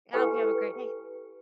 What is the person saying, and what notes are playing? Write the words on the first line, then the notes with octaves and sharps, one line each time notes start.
I hope you have a great day.
E4 G4 A4 B4 G5 G#5